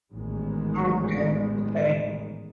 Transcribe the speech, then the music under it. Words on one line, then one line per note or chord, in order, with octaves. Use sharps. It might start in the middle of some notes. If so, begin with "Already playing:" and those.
Okay, okay.
A1 E2 G#2 D#3 G#3